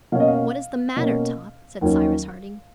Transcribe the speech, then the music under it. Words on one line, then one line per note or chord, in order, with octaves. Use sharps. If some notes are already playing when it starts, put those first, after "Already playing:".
"What is the matter, Top?" said Cyrus Harding.
B2 A#3 C#4 F5
D#5
F5
B2 A#3 C#4
D#2 D#3 F#3 C#4